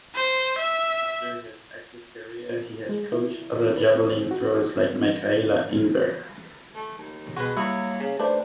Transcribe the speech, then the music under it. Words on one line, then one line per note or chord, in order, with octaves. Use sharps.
After his active career he has coached other javelin throwers like Mikaela Ingberg.
C5
E5
G#3
E4
B4
C4
F#4
A3
D#2
C2 B2 G#3 F#4 B4
F#3 G3 A#3 E4 D#6
C#3
D#2 A3 D4 B4 C5 D5